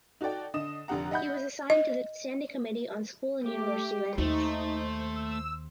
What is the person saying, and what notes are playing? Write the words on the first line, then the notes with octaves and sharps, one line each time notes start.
He was assigned to the standing committee on school and university lands.
D#4 F#4 A4 D5 G5
D3 D#5 D#6 E7
F1 D3 G4 F#5 A#5
D#5 E5 F#5 B5 G6
D#5
A3 G4 D6
D#2 A3 D#4 C5
E6